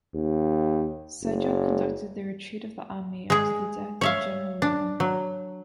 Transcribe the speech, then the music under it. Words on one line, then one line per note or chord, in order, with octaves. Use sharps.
Sigel conducted the retreat of the army after the death of General Lyon.
D#2
F#1
G#3 G#4
C#5 E5 F5
D4
F#3